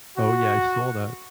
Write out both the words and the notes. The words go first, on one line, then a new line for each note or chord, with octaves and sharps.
Oh, yeah, I saw that.
F#4